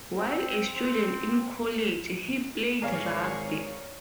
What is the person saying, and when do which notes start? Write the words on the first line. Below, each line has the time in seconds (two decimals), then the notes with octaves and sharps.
While a student in college, he played rugby.
0.18 C4
0.76 C4
2.82 G#1 G#4 A#4 C#5 D5 F5